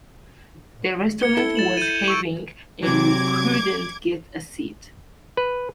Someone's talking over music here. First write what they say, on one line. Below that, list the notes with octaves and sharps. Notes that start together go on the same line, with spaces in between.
The restaurant was heaving and we couldn't get a seat.
G#6 C#7 G7
E4 A4
A6 E7 F#7
G6 D#7
C#6 E6 D7
C3 F#3 D6 G#6
B4